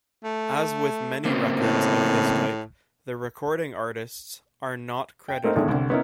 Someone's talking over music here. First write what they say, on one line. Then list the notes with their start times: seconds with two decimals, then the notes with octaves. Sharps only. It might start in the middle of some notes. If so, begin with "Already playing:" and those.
As with many records of this type, the recording artists are not credited.
0.24 A3
1.25 C#3 A#3 C4
1.60 A2
5.28 G5
5.44 A3 A#3 C4 D#4 A#4 C5
5.55 E2 A2 D3 D#3 G#3 E4
5.68 C2 D3 G3
5.90 B3 C#4 D#4 E4 A#4